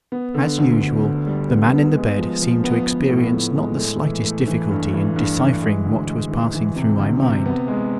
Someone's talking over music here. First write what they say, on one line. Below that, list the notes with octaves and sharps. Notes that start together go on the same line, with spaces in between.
As usual, the man in the bed seemed to experience not the slightest difficulty in deciphering what was passing through my mind.
B3
D3
D2
D3
D3
G3
B3
B3
G#3
F3
F3
B3
B3
A2
A2
G#3
A3
E3
A3
E3
G2
E3
G2
E3
G#3
D2
G#3
E3
E3
C3
D2
C3
B3
G#3